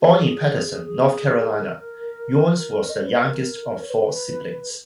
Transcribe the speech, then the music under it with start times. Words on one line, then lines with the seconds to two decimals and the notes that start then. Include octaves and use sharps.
Born in Patterson, North Carolina, Younce was the youngest of four siblings.
0.01 F#4
0.09 G#4
0.85 G#4
1.61 A#4
2.88 D#5
2.97 C#5
3.05 B4
3.13 A#4
3.82 C#5
3.90 B4